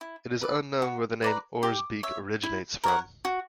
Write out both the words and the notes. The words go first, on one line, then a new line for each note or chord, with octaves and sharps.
It is unknown where the name Oirsbeek originates from.
E4
B4 D5
F#4
B4 D5 A#5
G4
C#5 E5
E4
A#4 C#5 F#5
F#4